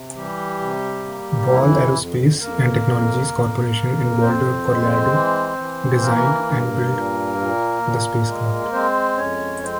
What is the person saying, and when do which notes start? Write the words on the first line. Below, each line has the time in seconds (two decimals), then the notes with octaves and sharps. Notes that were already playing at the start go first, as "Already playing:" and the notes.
Ball Aerospace and Technologies Corporation in Boulder, Colorado, designed and built the spacecraft.
Already playing: C3
0.16 E3 G3 G4
0.61 C3
1.06 A#3
1.51 F2 E3 E4
1.96 F2
2.41 F2 A#3 A#4
2.86 F2
3.31 F2
3.76 F2
4.21 F2 C4 C5
4.67 G#3
5.12 E3
5.57 E3
6.01 A#3 A#4
6.47 G2
6.92 A#2
7.37 A#2
7.82 A#2
8.27 G#3
8.73 G#3 C4 C5
9.17 F2 C#4 C#5
9.63 G#3 C4 C5